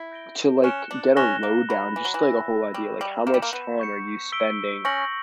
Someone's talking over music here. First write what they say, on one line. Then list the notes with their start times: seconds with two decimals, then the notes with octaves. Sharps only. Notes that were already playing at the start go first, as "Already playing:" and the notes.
to like, get a lowdown, just, like, a whole idea, like, how much time are you spending,
Already playing: E4
0.12 G6 A#6 D7 G7
0.64 C#4 F#6 C#7 E7 G7
0.91 D4
1.16 C#4 F#6 A#6 E7 G7
1.43 A#3
1.69 F#3 B5 F#6 A#6
1.96 E3
2.05 F#3
2.14 E3
2.22 B5 E6 A#6
2.74 G3 C#6 E6 G6 A#6 E7
3.01 G3
3.26 A#3 G6 C#7 E7
3.34 G3
3.42 A#3
3.53 B3
3.80 C#6 G6 C#7
4.32 E6 B6 D7 G7
4.85 C#4 C#6 G6 A#6 C#7 F#7